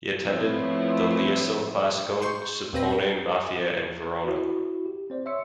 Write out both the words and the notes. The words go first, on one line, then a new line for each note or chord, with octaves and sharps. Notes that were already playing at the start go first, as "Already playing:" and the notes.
He attended the Liceo Classico Scipione Maffei in Verona.
F3 A3 B3 C4 E4 C#5
C6 C#6 G6
D#2 A#2 C4 B4 G5 A#6
E4 F#4
G4
C4 C5 D5
C#5 E5 C6 E6 C#7